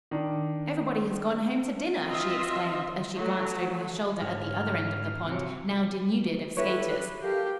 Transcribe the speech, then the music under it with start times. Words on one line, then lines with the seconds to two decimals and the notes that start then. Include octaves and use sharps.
"Everybody has gone home to dinner!" she exclaimed, as she glanced over her shoulder at the other end of the pond, now denuded of skaters.
0.11 D#3 D4
2.06 C4 F4 D#5 E5
3.16 F#3 A3
4.21 G#2 D3 C#5 F6
5.23 C3 F#3
6.57 E4 G4 A4 B4 C#5
7.23 G4 A4 A#4 F5